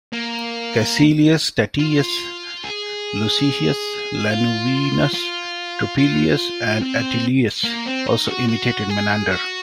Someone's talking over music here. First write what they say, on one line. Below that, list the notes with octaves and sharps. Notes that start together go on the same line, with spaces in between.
Caecilius Statius, Luscius Lanuvinus, Turpilius and Atilius also imitated Menander.
A#3
F4
G#4
F4
F4
F4
C4
A#3
C4
D#4
F#4
F#4
G#4
F#4